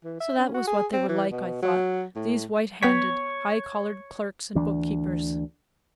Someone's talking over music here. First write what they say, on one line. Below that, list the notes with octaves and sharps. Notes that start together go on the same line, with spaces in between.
So that was what they were like, I thought, these white-handed, high-collared clerks and bookkeepers!
E3
E5
C#4
F#4
G#4
C4
E3
B2
F#3
A2
B3 C#5 G5 B6
D2 E3 D4